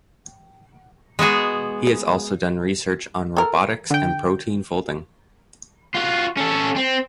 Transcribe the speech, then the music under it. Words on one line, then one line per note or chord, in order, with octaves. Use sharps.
He has also done research on robotics and protein folding.
G#3 B3 F#4 G#4
A4 A#4
D3 G5
F4 F#4
C#4 A4
C4